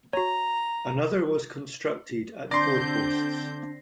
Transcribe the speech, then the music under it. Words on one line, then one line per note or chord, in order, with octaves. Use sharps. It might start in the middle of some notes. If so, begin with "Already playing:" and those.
Another was constructed at Fourposts.
F#4 C#5 A#5
D3 C4 D4 D5 C6 G6 A#6 C7